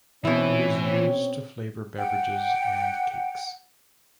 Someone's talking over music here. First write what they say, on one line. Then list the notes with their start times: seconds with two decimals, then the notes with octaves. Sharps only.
It is used to flavor beverages and cakes.
0.25 B2 E3 C4 C#4 E4 C#5
1.97 F#5 G5